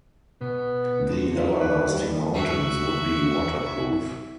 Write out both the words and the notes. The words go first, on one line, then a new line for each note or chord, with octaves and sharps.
The everlasting mountains would be waterproof.
B2 B3
D4 F#4
D#4 F4 E5
B4
G3
F#4 E5